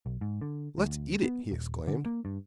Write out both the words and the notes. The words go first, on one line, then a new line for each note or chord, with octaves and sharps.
"Let's eat it!" he exclaimed.
B1
G#2
D3
D2
B3
D#1
D3
A#3
G2